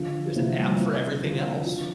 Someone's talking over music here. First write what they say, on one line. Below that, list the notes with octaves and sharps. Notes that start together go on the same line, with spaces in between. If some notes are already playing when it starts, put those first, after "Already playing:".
Th there's an app for everything else.
Already playing: D3 F3
F3
C3 E3
G3
F3
C3 E3
D3 F3
D3 F3